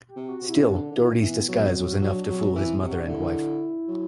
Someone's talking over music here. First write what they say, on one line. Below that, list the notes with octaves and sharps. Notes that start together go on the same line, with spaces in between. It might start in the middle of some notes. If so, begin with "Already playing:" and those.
Still, Doherty's disguise was enough to fool his mother and wife.
G4
C3
G4
F#4
C3
E4
C3 C4
D3 D4
D3
E3
C4
E3 B3
F#3 B3
C4
F#3
F#4
F#3
D4
F#3 C4
C4
E3
C4
C3
F#4
D4
D3 E4
F#3